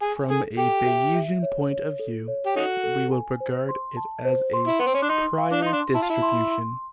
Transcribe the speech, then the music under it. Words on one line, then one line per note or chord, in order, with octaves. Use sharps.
From a Bayesian point of view, we would regard it as a "prior distribution".
G#4 G#5
G#4 A4
G4 A4
E5
E5
C#5
C#5
A4
C#5
G4
C#4 D#4 F#4 A4
A4
G#5
C5
C6
A5
C5
C6
E4
B3 C6
C4
C#4
D4
D#4 C6
F5
D4
D#4 C6
D4
E4 A5
F4
E4
C6
C6